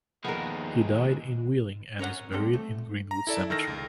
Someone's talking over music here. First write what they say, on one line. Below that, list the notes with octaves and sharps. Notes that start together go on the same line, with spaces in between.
He died in Wheeling and is buried in Greenwood Cemetery.
D#2 F3 G#3 B3 D4 D#4 G#4 A#4
C#4 A#4 C#5 F#5
G3 C4 A4
A3
A#5
E4 A4 D5 E5
D#3 A4 F6 A#6
C#2